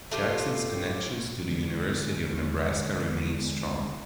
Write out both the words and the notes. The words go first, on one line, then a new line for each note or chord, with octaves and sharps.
Jackson's connections to the University of Nebraska remain strong.
A3 F4 G4
D3 G#3